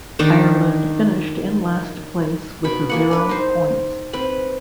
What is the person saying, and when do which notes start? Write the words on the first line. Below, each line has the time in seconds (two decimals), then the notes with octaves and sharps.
Ireland finished in last place with zero points.
0.19 D#3 D4 D#4
2.64 B2 B5
2.90 E3 A#3 F#5
3.11 D4 B4
3.29 D#4 C5
4.13 C4 B4 B5